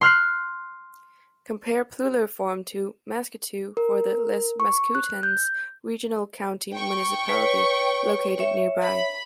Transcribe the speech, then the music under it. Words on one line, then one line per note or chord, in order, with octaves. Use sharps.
Compare plular form to "maskutew" for the Les Maskoutains Regional County Municipality located nearby.
C6 F6 F#6 C7
A#4
C#6
F#6
G6
G5 C#6
B4 C#5
C#5 E5
B5